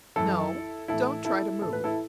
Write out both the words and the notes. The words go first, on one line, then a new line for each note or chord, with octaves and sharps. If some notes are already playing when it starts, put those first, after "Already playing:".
No, don't try to move.
F#2 E3 E4 A4
A2 E3 E4 A4
E4 A4
A2 E3 A4
B4
E4 A4